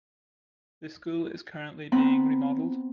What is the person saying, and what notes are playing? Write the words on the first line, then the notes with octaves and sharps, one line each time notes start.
The school is currently being remodeled.
B3 C4 A#5 B5